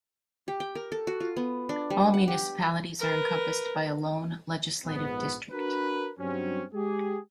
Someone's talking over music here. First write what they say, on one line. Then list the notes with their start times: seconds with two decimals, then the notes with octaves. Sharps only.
All municipalities are encompassed by a lone legislative district.
0.48 G4
0.60 G5
0.75 A#4
0.92 A4
1.07 F#4
1.20 F4
1.37 B3
1.69 D4
1.90 G3
2.14 F#5
2.28 G4
3.00 A#4 B4
4.85 A#1 G#2 B3
5.51 D4 F#4 A#4 B4
6.19 G2 F#3 C4 C#4
6.74 G#3 G4 G#4